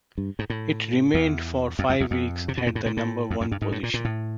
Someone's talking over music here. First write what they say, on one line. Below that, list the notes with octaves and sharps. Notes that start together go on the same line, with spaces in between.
It remained for five weeks at the number-one position.
G2
G#2
A2
E2
F2
F2
E2
F2
C3
B2
A#2
A2
A#2
A2
F2
F#2
G2
G#2
A2
A#2
A#2
A2